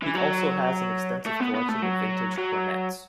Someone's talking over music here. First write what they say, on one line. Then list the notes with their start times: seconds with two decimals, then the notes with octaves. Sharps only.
He also has an extensive collection of vintage cornets.
0.03 E3
0.15 F#3
1.26 A3
1.40 B3
1.55 B3
1.68 A3
1.82 F#3
2.38 F#3